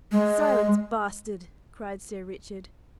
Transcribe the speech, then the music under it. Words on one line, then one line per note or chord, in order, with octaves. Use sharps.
"Silence, bastard!" cried Sir Richard.
G#3